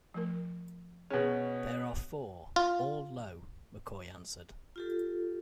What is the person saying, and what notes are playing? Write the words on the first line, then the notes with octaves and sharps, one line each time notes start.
There are four, all low, McCoy answered.
F3 A3 A#4
B2 C#4 G#4 B4
F4
F4 G4 A4